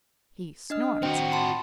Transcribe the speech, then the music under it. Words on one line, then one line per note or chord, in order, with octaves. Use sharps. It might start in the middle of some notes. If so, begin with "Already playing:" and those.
He snorts.
D4 D#5 F6
C4 F#4 C5 G5
A5 B5 C6